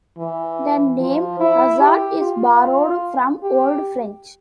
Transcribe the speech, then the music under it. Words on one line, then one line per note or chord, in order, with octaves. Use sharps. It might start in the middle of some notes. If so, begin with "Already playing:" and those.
The name "hazard" is borrowed from Old French.
E3
F3
E4
G4
F4
G4